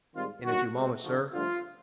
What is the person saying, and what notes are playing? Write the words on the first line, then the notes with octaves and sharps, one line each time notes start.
"In a few moments, sir."
G#2 D#3 G3 C4 F4
G2 D#3 F#3 A#3 F#4
B2 G#3 C4
F2 D3 F3 F#4
G2 D3 F3 A3 F4